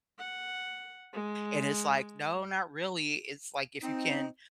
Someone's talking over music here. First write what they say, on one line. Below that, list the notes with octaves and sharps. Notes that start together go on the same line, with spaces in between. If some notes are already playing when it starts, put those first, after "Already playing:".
and it's like, "No, not really," it's like, if you can
F#5
G#3
C4 D#4